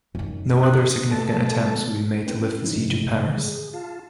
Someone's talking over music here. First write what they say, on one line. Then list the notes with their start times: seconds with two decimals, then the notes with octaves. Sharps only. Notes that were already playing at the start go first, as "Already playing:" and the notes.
No other significant attempts would be made to lift the siege of Paris.
0.15 F#2 D#3
0.63 D#6 F#6
1.11 B2 A3 A5
2.27 A#3 C#4 B4 G5
2.64 F3 F#3 C#4 D#4 E4
2.76 G2 C3 F3 G#3 A3
3.37 G#4
3.74 F4 F5 A5